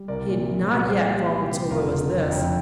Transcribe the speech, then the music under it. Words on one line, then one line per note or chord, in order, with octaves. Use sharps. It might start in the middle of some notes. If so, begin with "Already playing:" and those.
He had not yet fallen so low as this.
Already playing: G3
C2 A#4 D5
A#2
C2
A#2
G3 G4 C5
G3
G4
G3
G4
C3
F1 F4 A#4
D3
F2
F2